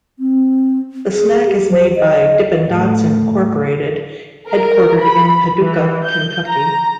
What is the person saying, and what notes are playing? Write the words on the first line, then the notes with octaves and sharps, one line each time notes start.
The snack is made by Dippin' Dots, Incorporated headquartered in Paducah, Kentucky.
C4
G#4
G4
C5
D#5
A2
A#4
B5
E3
G6
A#5